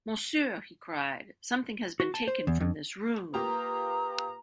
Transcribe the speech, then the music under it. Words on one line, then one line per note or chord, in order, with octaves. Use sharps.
"Monsieur," he cried, "something has been taken from this room."
F#4
A5
C5
E2
F2
A#3 F4 G4 B4 A#5 D#6